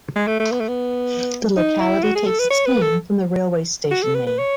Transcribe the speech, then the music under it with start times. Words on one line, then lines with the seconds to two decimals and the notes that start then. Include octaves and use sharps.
The locality takes its name from the railway station name.
0.16 G#3
0.27 A3
0.40 A3
0.51 B3
0.60 A3
0.68 B3
1.57 D#4
1.80 E4
2.03 F#4
2.15 G#4
2.27 A4
2.39 B4
2.50 C#5
2.66 B4
2.82 A4
3.91 F#4
4.03 A4
4.14 B4
4.27 B4
4.38 C#5